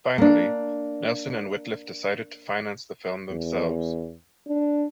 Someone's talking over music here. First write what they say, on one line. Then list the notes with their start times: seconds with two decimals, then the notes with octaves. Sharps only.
Finally, Nelson and Wittliff decided to finance the film themselves.
0.18 A#3 D4
3.31 E2
4.48 D4